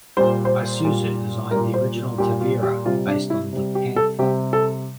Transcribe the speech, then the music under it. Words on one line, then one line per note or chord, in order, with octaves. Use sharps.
Isuzu designed the original Tavera, based on the "Panther".
A#2 G3 C5
C5
A#2 G3
A#2 G3 A#4
C5
A#2 G3 G4
F4
G4
C3 G3 F4
D4
E4
C3 G3
G4
A4
C3 G3 G4
A4